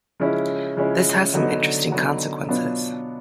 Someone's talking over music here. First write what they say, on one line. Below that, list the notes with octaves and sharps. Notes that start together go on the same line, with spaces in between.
This has some interesting consequences.
C#3 F3 G#3 C#4 E4
C#3 F3 G#3 C#4 E4
D3 F#3 B3 D#4
D3 F#3 B3 D#4
B2 F#3 B3 D4 F4